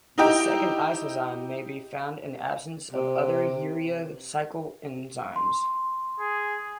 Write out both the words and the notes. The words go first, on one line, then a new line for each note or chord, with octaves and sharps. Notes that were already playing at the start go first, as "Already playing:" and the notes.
The second isozyme may be found in the absence of other urea cycle enzymes.
D#4 E4 G4 D#5 G5 A#5
C3
C6
G#4